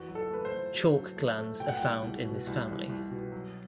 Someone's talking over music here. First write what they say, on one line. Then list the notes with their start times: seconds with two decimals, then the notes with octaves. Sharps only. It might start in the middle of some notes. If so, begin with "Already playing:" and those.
Chalk glands are found in this family.
Already playing: E2 F#4
0.09 F#3
0.15 A4
0.30 A3 B4
0.45 C5
0.52 A3
0.73 F#3
0.95 F#3
1.17 A3
1.38 A3
1.60 B2 G5
1.69 F#5
1.77 C2 G5
2.02 C2
2.25 B2
2.47 C2
2.67 C2
2.89 C2
3.11 B2
3.32 F#3